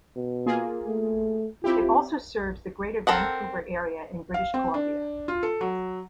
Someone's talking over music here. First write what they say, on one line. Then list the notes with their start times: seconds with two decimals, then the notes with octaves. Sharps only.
It also serves the Greater Vancouver area in British Columbia.
0.16 B2
0.46 A#3 F4 G#4
0.87 A3
1.64 C4 E4 F4 G4
3.07 C4 A4 A#4 F#5
4.34 F5
4.54 C4
4.74 D4
5.28 F4
5.43 A4
5.61 F#3